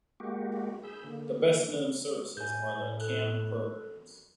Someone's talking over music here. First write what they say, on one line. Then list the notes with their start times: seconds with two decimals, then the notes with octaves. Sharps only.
The best-known services are the camp programs.
0.20 G#3 A#3 F#4 G4
0.83 G#4 B5 E6 G6
1.04 D3 A#3
2.37 A2 G#5 G6
2.98 A4 F#6